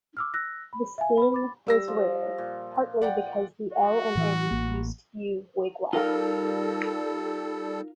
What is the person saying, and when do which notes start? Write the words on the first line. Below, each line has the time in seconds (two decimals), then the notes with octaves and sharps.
This scheme was rare, partly because the L and N used few wigwags.
0.17 D6 E6 F6
0.34 E6 F#6 A#6
0.73 B5
0.98 E5 F5 G#5
1.18 B4 B5
1.32 B5 D6 A6
1.67 G3 E6 A#6
1.88 F3
2.38 A#2
3.02 D5 F#5 G5
3.73 F#4
4.15 A2 E3
4.51 A1 A#3
5.93 G3 D#4 F4 A4 A#4 F5